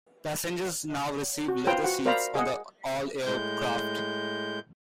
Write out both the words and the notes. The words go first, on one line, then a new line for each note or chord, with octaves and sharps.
Passengers now receive leather seats on all aircraft.
F#4
F4 B4 C5 G5 A#5
F#4 F#5
A#4 C5 D5 F5 A#5 B5
G#4 D#5 F#5
A2 G#3 G6